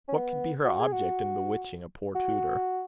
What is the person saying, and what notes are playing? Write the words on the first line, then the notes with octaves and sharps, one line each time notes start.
What could be her object in bewitching a poor tutor?
C#4
B3
F#4
G#4
F#4
F#4